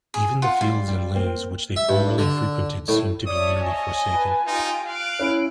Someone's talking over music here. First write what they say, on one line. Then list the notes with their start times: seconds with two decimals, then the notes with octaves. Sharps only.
Even the fields and lanes which they formerly frequented seem to be nearly forsaken.
0.14 G#4
0.42 F4 F#5
0.61 G3 F4
0.88 G3
1.15 A#3 C4
1.76 E5
1.89 G2
2.18 D3
2.88 A2
3.27 C#5 D5 E5 A5 D#6
3.62 D#5 G#5
4.12 B4 A5
4.47 D#4 F4 G4 G5
4.87 F5 F#6 D7
5.19 C#4 E4